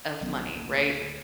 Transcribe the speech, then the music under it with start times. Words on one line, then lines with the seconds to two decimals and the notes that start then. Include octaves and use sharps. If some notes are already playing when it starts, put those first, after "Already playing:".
of money? Right?
0.21 B1 F#3 B3 C#4
0.53 D1 D2 A#3